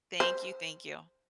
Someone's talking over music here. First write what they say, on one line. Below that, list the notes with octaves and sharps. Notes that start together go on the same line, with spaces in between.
Thank you, thank you.
C5